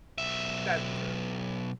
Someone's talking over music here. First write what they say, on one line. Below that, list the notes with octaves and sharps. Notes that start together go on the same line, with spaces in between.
That's true.
B1 E5